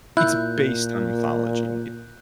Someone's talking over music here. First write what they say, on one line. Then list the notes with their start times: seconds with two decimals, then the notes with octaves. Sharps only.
It's based on mythology, it's
0.17 A#2 E4 F#6 G6